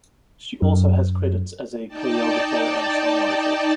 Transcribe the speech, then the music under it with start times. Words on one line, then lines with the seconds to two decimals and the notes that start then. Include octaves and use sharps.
She also has credits as a choreographer and songwriter.
0.62 F#2
1.88 D#4 D5 G5 A5